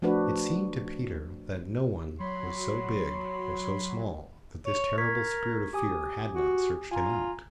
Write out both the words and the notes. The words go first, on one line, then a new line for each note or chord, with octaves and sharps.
It seemed to Peter that no one was so big or so small that this terrible Spirit of Fear had not searched him out.
F3 A3 D4 F#4 B4
F#3 C#5 B5 C6
C#5
A#4 C#6 G#6 B6
G4 G#5 D#6
F#4
F4 G#5 A#5